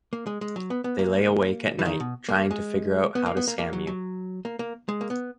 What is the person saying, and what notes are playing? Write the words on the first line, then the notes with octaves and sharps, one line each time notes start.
They lay awake at night trying to figure out how to scam you.
A#3
G#3
G#3
F#3
B3
B3
A#3
E3
D#3
B2
A#3
G#3
B3
A#3
B3
A#3
A#3
F#3
F#3
A#3
A#3
G#3
A#3
B3